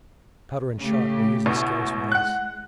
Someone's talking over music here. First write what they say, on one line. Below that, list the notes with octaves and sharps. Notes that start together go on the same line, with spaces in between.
Powder and shot were usually scarce with us.
C#3 A3 G4
A1 B2
G#3
F#5 F#6